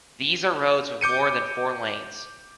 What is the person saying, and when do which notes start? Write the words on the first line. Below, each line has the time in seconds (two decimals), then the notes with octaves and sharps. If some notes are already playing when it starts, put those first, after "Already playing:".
These are roads with more than four lanes.
1.01 D6 G6 C#7 D#7